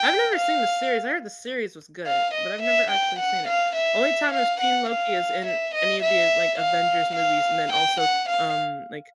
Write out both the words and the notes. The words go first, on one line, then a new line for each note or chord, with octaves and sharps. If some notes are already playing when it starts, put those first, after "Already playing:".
I've never seen the series. I heard the series was good, but I've never actually seen it. Only time I've seen Loki is in any of the, like, Avengers movies. And then also, um, like,
Already playing: G5
F5
F5
D#5
E5
G5
F#5
F5
E5
F5
F#5
F5
E5
D#5
E5
F5
F5
G5
F#5
F5